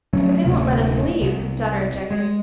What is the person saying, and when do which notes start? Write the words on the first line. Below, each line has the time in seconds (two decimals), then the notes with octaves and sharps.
"But they won't let us leave," his daughter objected.
0.13 F#3 A3 C#4
0.45 D1 C3 A3
1.21 C2
2.10 G#3